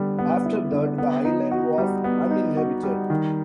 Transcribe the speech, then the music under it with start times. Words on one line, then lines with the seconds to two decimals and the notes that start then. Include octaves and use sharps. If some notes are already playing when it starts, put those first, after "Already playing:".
After that, the island was uninhabited.
Already playing: D3 G3 B3
0.18 B3
0.46 E4
0.72 D3
0.98 B3
1.25 D#4
1.52 F#4
1.78 G3
2.04 B3
2.31 D#4
2.57 F#4
2.83 G3
3.10 D#3